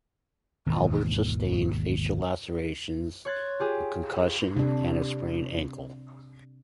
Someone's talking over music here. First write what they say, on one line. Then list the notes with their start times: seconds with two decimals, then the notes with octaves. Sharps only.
Albert sustained facial lacerations, a concussion, and a sprained ankle.
0.66 G#1 D#2 B2 E3
3.25 C#5 C6 F#6 G#6 A6
3.60 F4 G4 G#4
4.56 C3 D4